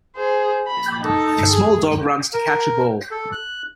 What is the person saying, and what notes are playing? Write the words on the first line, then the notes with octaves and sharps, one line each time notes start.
A small dog runs to catch a ball.
G#4 C5
B5
D#4 A4
G#4
A#4
A4
F#6